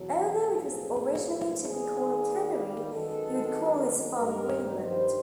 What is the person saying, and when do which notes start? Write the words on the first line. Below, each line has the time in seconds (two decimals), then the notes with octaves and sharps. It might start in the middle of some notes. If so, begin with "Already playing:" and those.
Although it was originally to be called Canary, he would call his farm "Greenland".
Already playing: E2 B2 F#3
0.41 B1 A2 F3 A#3 G#4
1.67 D#2 D#3 G3 A#3 G#4
2.92 F#2 D#3 G#3 B3 A4
4.18 G2 D#3 G3 A#4
4.81 C5